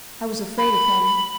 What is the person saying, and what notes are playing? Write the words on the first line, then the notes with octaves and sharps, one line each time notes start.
I was afraid of him.
B5